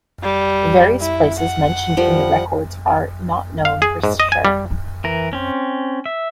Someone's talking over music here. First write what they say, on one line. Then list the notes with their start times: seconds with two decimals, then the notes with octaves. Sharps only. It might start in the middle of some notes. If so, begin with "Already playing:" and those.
"Various places" mentioned in the records are not known for sure.
0.24 G3
1.01 E4
1.39 F#5
1.97 F3 G3
3.65 F5
3.82 G#4
4.04 G#2
4.20 D#5
4.32 G#5
4.45 G3
5.04 E3 A#4
5.33 C4 C#4
6.06 E5